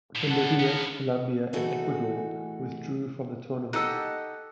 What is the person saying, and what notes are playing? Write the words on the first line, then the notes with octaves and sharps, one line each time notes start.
Bolivia, Colombia, and Ecuador withdrew from the tournament.
A2 D3
F#5 A5
B3 A#4
E3 A3 D#4 F#4 G#4 A4
D#4 G4 A4 D#5 F#5 E6 F#6